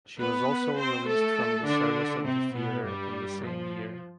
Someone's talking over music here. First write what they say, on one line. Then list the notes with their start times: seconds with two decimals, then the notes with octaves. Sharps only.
She was also released from the service of the theater in the same year.
0.19 B3 B4
0.79 C4 C5
1.08 A3 A4
1.67 D3 D4
2.26 C3 C4
2.55 B2 B3
2.84 G2 G3
3.44 F3